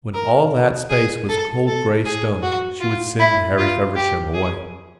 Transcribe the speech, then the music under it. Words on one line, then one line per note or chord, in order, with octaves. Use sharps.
When all that space was cold grey stone, she would send Harry Feversham away.
A#4
G#4
A4
A4
G#4
F#4
F4
E4
F4
G4
G#4